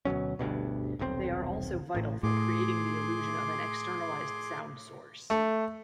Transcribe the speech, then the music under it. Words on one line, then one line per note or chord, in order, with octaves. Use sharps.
They are also vital for creating the illusion of an externalized sound source.
D2 B2 F#3 C#4
G1 D2 G2 B2
D#1 B1 A2 C4
A1 A2
A2 G#4 C6 D6
A3